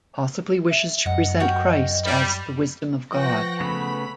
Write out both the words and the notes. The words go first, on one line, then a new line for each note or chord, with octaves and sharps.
Possibly wishes to present Christ as "the wisdom of God".
E5
F#2 D#5 F#5
F#4 A#4 G5
G3 B5
F3 B4 F#5 G5 C#6 A#6
C#3 A3 B3 B5